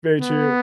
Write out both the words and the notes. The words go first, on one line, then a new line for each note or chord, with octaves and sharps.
Very true.
B3